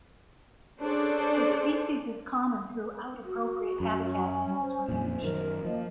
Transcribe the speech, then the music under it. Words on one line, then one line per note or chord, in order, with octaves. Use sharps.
The species is common throughout appropriate habitat in its range.
C#4 D4 G#4 A4 C5 D5
F#4
F#2 C#4
C5
F2 A#2
F#2 D#3 A#4
F3 A#3 D#5